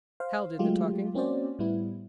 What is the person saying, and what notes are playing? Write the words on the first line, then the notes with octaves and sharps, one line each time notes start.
Hal did the talking.
C5 F5
F#3 G#3 A3 F4 G4
A#3 C4 C#4 F#4 C5 D5
A2 G3 B3 E4